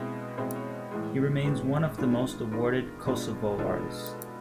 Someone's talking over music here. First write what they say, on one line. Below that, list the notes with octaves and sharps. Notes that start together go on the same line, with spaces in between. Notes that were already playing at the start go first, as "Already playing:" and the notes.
He remains one of the most awarded Kosovo artists.
Already playing: B2 G#3 C4 E4
B2 G#3 C4 E4 C5
C#5
A2 E3 G#3
A2 E3 G#3 B4
D#3 G#3 B3 D4 F4
D#3 G#3 B3 D4 F4 A#4
B2 G#3 B3 D4 F4
B2 G#3 B3 D4 F4 A4